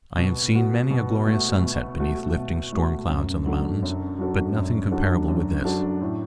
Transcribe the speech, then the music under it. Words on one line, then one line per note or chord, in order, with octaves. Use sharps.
I have seen many a glorious sunset beneath lifting storm clouds on the mountains, but nothing comparable with this.
B2
A3 F#4
B2
A3 F#4
B2
A3 F#4
B2
A3 F#4
F#2
F#3 D4 F#4 A4
F#2
F#3 D4 F#4 A4
F#2
F#3 D4 F#4 A4
F#2
F#3 D4 F#4 A4
A2